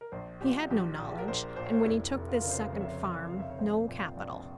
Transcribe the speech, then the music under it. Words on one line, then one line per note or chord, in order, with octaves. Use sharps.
He had no knowledge, and, when he took this second farm, no capital.
A#4
A#1 C5
A#2 G4
A#1 G4
A#2
G#4
A#4
A#1 C5
A#2 C5
C#5
C5
F1 E4
F1
F4
C#3 A#4
C5
F2 C#5
E5
C#5
F1
F1 F5
E5
C#5
A#1 C5
A#2
A#1